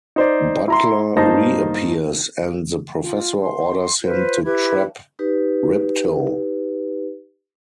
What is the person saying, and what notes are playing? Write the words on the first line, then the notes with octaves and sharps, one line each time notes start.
Butler reappears, and the Professor orders him to trap Ripto.
D#4 C5 D5
E4 A#5 C6
G2 A#3 D#4 C5 A5 A#6
F4
C6
F4 B4 C5
E4 G4 B4 G#6
D#4 G4 B4